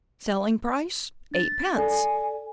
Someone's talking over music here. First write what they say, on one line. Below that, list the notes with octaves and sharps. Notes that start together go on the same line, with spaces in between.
Selling price, eightpence.
D4 A6
A4 D5 G#5